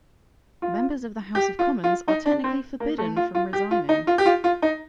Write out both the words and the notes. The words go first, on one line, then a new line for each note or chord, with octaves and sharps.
Members of the House of Commons are technically forbidden from resigning.
F4
G4
F4
F4
D#4
D4
C4
A#3
A3
F4
F4
G4
F4
D#4
F4
G4
F4
F4
D#4